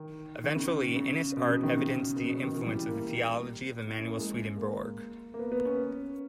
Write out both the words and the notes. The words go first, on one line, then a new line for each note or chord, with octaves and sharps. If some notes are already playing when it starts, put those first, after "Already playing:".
Eventually Inness' art evidenced the influence of the theology of Emanuel Swedenborg.
Already playing: D#3
D#3
C#3
C#3
B2
C#3
D#3
C#3
B2
C#3
D#3
E3
G3
A#3
G4
E4
C#4
A#3
G#3
A#3
A#3
B3
B3
C#4